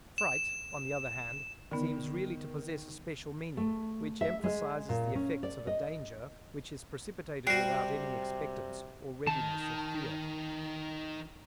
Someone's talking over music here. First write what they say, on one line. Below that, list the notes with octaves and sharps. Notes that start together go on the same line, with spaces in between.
Fright, on the other hand, seems really to possess a special meaning, which emphasizes the effects of a danger which is precipitated without any expectance or readiness of fear.
E7
D3 D#3 B3
A3
E5
G#3
A#2
C#4
D5
D#5
C3 G3 F#4 G5 F#6 C7
D#3 A5